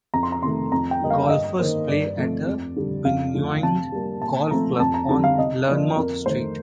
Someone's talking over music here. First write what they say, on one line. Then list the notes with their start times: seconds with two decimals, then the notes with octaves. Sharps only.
Golfers play at the Buninyong Golf Club on Learmonth Street.
0.14 F2 A#5
0.23 C6
0.32 A#5
0.42 C3 D#3 A3 C6
0.72 F2 A#5
0.91 G5
1.01 D3 G3 A#3 D#5
1.10 F5
1.23 F5
1.30 G2 D#5
1.59 D#3 A#3 C5
1.88 G2 D5
2.17 F3 A3 C4
2.47 F2
2.76 D3 G3
3.05 F2 F5
3.34 D3 F3 A3
3.63 C3 A5
3.92 G3 A#3
4.21 A#2 A5
4.51 F3 A3 C4 A#5
4.80 F2 A5
4.94 A#5
5.09 D3 G3 C4 A5
5.24 F5
5.38 C3 D#5
5.67 F3 A#3 D5
5.97 F2 A#4
6.26 D#3 A3 C5